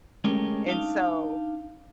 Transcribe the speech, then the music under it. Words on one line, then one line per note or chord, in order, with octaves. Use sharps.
and so
G#3 A3 C#4 G4 G#4 A#4
D4 D#4 F5